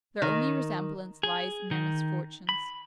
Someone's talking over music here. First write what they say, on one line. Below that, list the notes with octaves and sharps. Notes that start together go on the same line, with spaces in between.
Their only resemblance lies in their misfortunes.
D#3
G#4
D#3
B5